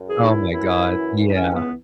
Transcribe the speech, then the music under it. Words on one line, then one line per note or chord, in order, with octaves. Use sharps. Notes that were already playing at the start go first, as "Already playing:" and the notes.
Oh my god. Yeah.
Already playing: F#2
E3 G#4
D#4
E4
F#2 E4
E3
D#4
C#2 C#4
B3